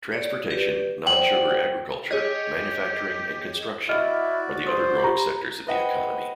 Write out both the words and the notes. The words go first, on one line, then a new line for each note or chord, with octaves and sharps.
Transportation, non-sugar agriculture, manufacturing and construction are the other growing sectors of the economy.
C#5 D5
G4 B4 D5
C5 D5 F#5 G5 F#7
G4 G#4 C#5 D#5
E4 F#4 D5 D#5 F6
C5 D#6
F4 G4 A#5
B4 C5 D#5 F#5 G5